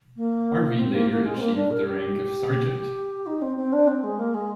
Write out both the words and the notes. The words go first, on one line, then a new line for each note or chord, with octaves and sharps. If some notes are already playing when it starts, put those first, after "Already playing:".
Harvey later achieved the rank of sergeant.
A#3
C4
A#3
A#3
G#3
C4
A#3
D4
A#4
G4
D#4
C4
C4
D4
C4
G#3
A#3
G#3